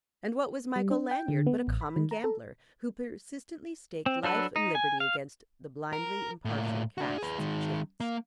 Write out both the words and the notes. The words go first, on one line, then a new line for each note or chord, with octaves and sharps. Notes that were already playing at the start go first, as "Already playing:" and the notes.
And what was Michael Lanyard but a common gambler, who persistently staked life and liberty against the blindly impartial casts of Chance?
G3
D4
G5
D3
B3
A1
B5
D#3
A#5
A4
C4
F#3 D4 A4 B4
D#4
G#5
F5
A#4
A2 A#3
D4 F#4
G#4 B4
D#3 G#3
A#3